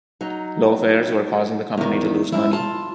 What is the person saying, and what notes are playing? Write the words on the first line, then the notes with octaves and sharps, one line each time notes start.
Low fares were causing the company to lose money.
F#3 D#4
E2 D#3
F#2 E4
F4 A5